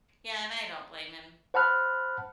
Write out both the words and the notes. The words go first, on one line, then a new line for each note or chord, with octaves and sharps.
Yeah, and I don't blame him
C5 F#5 A5 B5 F6 F#6